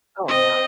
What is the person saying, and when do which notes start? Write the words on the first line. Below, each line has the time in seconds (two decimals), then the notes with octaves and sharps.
Oh, yeah.
0.28 C4 D#5